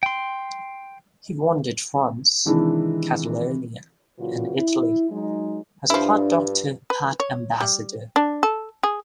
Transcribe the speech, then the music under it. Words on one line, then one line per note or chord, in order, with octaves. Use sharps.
He wandered France, Catalonia, and Italy, as part doctor, part ambassador.
G5 C6
C3 D#3 E3 G#3 D4 E4
A#2 C#3 E3 F#3 F4 F#4
E4
F#3 G#3 D#4
G2 F3 D4 E4
B4
C#5
G3
D4
A4
G#4